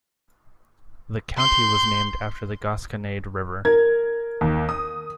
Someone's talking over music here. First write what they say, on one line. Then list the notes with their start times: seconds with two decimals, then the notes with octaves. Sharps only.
The county was named after the Gasconade River.
1.36 C6 G6
3.65 A#4 G#6
4.41 D#2
4.69 D#6